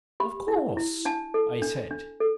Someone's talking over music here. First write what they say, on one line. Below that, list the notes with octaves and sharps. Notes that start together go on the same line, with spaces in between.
"Of course," I said.
G4 B5
E4
E4
D4 A5
A4
D4
D4
A4